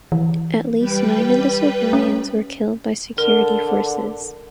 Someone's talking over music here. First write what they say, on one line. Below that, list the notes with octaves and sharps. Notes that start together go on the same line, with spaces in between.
At least nine of the civilians were killed by security forces.
E3
G3 B4 G5
C#4
D3 A#4